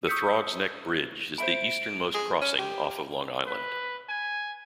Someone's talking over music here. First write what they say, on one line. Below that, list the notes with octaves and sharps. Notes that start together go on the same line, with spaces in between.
The Throgs Neck Bridge is the easternmost crossing off of Long Island.
C#6 D#6 E6 G6 B6 C#7
C5 E5 B5 D7
G#4
C#4
G4
B4
G#5